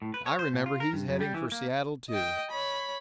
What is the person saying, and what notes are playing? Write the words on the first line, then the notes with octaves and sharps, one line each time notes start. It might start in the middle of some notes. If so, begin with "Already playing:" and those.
I remember; he's headed for Seattle, too.
A2
B4
C#5
C5
A#2
F4
A#4
G2
F#2
G3
E3
A#3
D#5 G5
C#5 B5